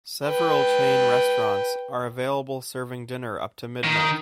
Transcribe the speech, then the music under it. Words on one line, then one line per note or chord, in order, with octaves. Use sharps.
Several chain restaurants are available serving dinner up to midnight.
B4 G5
D#3